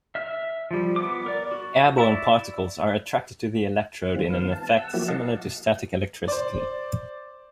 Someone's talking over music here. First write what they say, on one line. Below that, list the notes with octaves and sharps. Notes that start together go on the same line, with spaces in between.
Airborne particles are attracted to the electrode in an effect similar to static electricity.
E5 F6
F3 G3
B3 D6
A#4 D5
F#4
E4 D5
D#3 G3 C4 F4
B3 F5
A5
F#5 E6
F3 F#3 A#3 E4 F#4 G4
D#5 F5 F#5 A5
C5 D5